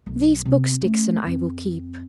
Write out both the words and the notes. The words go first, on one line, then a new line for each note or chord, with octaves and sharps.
'These books, Dixon, I will keep.
B1 F#2
C3 B3
A3 C#4
F2 C4